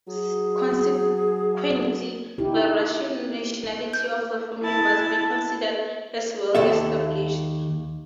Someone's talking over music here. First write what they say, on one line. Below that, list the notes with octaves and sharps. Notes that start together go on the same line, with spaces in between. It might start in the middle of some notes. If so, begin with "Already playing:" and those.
Consequently, the Russian nationality of the family must be considered as well established.
F#3 G#4
D#4 E4 G4
G6
E4 A5
D#2 A4 E5